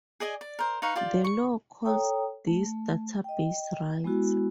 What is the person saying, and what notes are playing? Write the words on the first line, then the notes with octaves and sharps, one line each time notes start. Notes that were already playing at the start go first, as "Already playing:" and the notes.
The law calls these database rights.
G#4 D5 D#5 G#5
D5
A#4 C5
D#4 B4 F5 C#6
F4 G4 D5
C#6
A4 C#5 G5 A#5 D#6
A3
D#5 G5
G#3 B3 E4 F#4